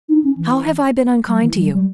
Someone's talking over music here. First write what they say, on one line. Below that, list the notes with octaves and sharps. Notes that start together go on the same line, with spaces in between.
"How have I been unkind to you?"
D#4
C#4
E3
G3
E3
G3
G3